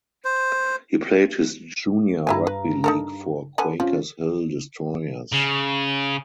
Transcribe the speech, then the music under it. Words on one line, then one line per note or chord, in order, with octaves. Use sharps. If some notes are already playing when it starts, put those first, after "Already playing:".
He played his junior rugby league for Quakers Hill Destroyers.
C5
G2 E4 E5 G#5 A#5
B4
D#4 A4 A#4
D3 B3 G#5
F3 C#4 F4
C#3